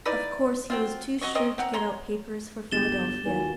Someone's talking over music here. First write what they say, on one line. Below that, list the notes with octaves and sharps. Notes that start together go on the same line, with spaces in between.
Of course he was too shrewd to get out papers for Philadelphia.
D#4 E4 B4 D5
F#3 C4 F4
F#3 D#5 C#6
C4 A#4 D#5
C4 F#5 A#5
C#5 A#5 C6
G1 G4 A6 E7 G7
D#2 F4 F#4 A#4 G#5